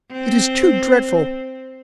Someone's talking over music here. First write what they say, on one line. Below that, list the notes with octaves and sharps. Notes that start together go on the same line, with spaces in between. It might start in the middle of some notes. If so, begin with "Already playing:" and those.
It is too dreadful!
C4